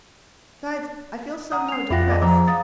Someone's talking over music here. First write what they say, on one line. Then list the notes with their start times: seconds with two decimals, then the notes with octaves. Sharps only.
"Besides I feel somehow depressed."
1.52 D5 F#5 A#5 D#6
1.68 C#4 C7 F7
1.90 F2 F4 D5 E5 F#5 G5 B5 A#6
2.08 G#4 D5 D#5 D6
2.22 F3 A#5 D6 E6
2.48 F5 D#6 A6